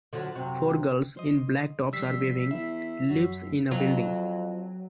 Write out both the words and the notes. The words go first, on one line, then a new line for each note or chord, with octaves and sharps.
Four girls in black tops are weaving leaves in a building.
D3 F3 F#3
F#2 C3 F#3 C4
C5 D#5
F3 G3 E6 B6 C7
E2 E5
F#2 F#3
D1
F2 F#3